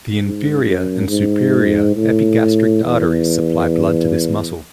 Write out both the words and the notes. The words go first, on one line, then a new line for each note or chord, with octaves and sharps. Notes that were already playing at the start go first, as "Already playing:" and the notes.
The inferior and superior epigastric arteries supply blood to this muscle.
G#2
F#2
G#2
A2
E2